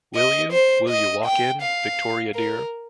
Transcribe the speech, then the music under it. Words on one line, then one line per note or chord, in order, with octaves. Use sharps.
Will you, will you walk in, Victoria dear?
D#5
C5
D#5
G5
F5
A#4